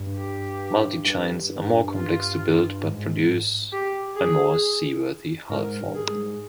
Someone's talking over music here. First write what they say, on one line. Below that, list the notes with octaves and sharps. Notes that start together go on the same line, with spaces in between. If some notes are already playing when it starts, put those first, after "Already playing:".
Multi chines are more complex to build but produce a more seaworthy hull form.
Already playing: G2
G4
G2
F4
G#2
G4
G#4
G#2 A#4
G2
G#4
G#2